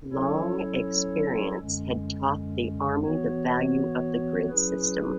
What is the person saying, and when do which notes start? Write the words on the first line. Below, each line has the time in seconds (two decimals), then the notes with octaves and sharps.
Long experience had taught the army the value of the grid system.
0.12 F#3 C#4 E4 A4 C#5
1.58 F#2 D3 G#3 C#4
3.04 E3 B3 F#4 C#5
4.50 F#3 C#4 E4 G#4 B4